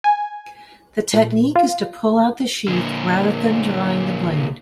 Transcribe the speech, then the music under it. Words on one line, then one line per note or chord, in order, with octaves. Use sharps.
The technique is to pull out the sheath rather than drawing the blade.
G#5
A#2
F4
A#2 D3